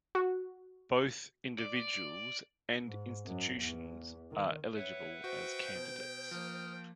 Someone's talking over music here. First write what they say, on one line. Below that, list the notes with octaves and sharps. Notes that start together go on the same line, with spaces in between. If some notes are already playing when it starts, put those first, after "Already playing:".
Both individuals and institutions are eligible as candidates.
F#4
D5
G#2
F#2
E2
D#3
B4 C#5 E5 F#5
F#4 C5 G5
B2
F3 A#3 D#6 F6